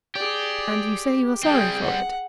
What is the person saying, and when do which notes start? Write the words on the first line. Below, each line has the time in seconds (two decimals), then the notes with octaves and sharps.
"And you say you are sorry for it."
0.15 G4 G#4 D5
1.43 G3 C4 G#4 G5
1.84 F#5